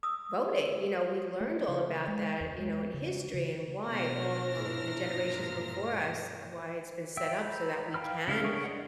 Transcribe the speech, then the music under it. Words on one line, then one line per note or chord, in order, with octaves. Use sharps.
voting. You know, we learned all about that, you know, in history and why all, eh, the generations before us, why it's been set up so that we can
D#6 E6
A3
C#3
G#3
E2
G#3
C#3
C#3
B2 B3 D4 F6 A#6
G2 A#2 E3
E5 G5 E6
A#5 B5 G6
F5 G5 A5 B5 F6
C#3 E4 F5 F6
D4 G#4 A#4 C#5 C#6
D5 D#5 F#5